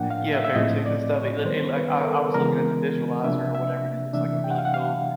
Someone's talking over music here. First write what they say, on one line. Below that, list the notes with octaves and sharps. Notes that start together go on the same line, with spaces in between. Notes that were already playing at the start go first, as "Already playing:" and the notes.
Yeah, Beartooth and stuff, it l it, like, I I was looking at the visualizer or whatever, and it looks like a really cool,
Already playing: A2 F3 A#3 D4 F#5 G5
F5
E5
E5
A2 F3 A3 C4 D#5
D5
C#5
D#3 G3 B3 C5
B4
A#4
A4
C#3 E3 G#3 B3 A#4
C3 F3 A#3 D4 E5
E5
C3 E3 A3 D4 E5
G5
F#5
F5
F#5
F5